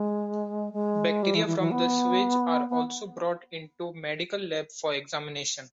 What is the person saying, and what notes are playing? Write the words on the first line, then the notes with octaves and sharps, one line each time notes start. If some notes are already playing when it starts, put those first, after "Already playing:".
Bacteria from the sewage are also brought into medical lab for examination.
Already playing: G#3
G#3
G3
E3
E3
E3
B3
B3